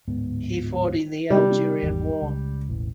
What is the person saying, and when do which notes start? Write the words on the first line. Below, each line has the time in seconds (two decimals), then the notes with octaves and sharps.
He fought in the Algerian War.
0.08 D1 G#2 B3
1.30 C3 G3 B3
1.83 G#1 E2
2.22 C#2
2.69 E1 A1 E3